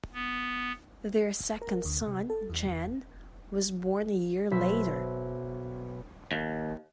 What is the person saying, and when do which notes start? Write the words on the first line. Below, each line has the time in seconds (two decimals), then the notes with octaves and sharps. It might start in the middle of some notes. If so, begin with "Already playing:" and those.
Their second son, Gen, was born a year later.
0.13 B3
1.62 A#4
1.85 D2
2.07 C3
2.30 A4
2.50 E2
4.51 B1 C5 E5 B6
6.32 D#2